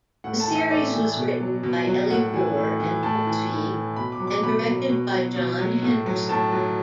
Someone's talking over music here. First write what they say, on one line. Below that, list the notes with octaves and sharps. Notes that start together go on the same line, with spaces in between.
The series was written by Elly Brewer and Toksvig, and directed by John Henderson.
A2 F#5
A5
E3
E5
A2 D5
E3
B2
F#3
B2
F#3
A2 F#5
E3
A2
E3
A2 A5
E3
A2
E3
B2 B5
D6
F#3
D6
B2 B5
F#3
B2
F#3
B2
F#3
A2
F#3
A2 A5
F#3